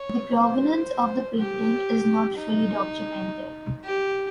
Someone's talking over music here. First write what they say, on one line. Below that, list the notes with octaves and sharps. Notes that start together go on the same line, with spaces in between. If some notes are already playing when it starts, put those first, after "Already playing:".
The provenance of the painting is not fully documented.
Already playing: C#5
C5
G4
D#4
G4